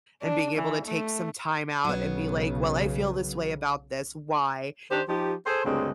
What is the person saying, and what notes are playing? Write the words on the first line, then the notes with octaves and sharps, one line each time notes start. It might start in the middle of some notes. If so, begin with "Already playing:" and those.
and being able to take some time out and be like, "Well, I feel this way about this, why?
D4
E3
A3
B1 C#3 F#3 B3
D#3 D4 G4 C5
F3 D#4 G4
G#4 A4 C5
D2 G2 C#3 G#3 C4